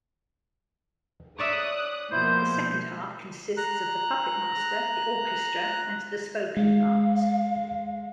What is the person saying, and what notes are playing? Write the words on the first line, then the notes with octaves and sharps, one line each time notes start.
The second half consists of the puppet master, the orchestra, and the spoken parts.
C#5 D5 E5 D#6 F#6
B2 F3 A#3 E4 C5 G6
A#5 F#6
G#3 F5